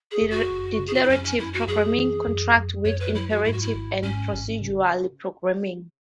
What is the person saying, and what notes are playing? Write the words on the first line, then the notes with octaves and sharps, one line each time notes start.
Declarative programming contrasts with imperative and procedural programming.
G#4
F#1
F#4
F#1
C#3
G#4
F#4
E4
F#2 C#4
C#4
F#2 E4
F#4
F#2 G#4
E3
F#2
F#2
F#2 C#5
B4
F#3 E4
F#4
G#2 E4
F#4
E4
G#1
G#2 C#4
G#1
C#3